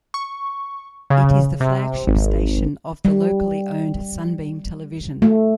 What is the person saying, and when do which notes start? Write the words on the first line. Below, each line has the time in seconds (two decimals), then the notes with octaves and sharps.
It is the flagship station of locally owned Sunbeam Television.
0.14 C#6
1.10 C#3
1.60 C3
2.07 G#1
3.05 G3
5.22 A3